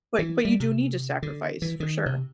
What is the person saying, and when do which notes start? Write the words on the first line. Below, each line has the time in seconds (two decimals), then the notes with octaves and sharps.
but but you do need to sacrifice, for sure.
0.19 E3
0.45 G3
0.60 C3
1.23 D3
1.62 E3
1.80 D#3
2.06 C3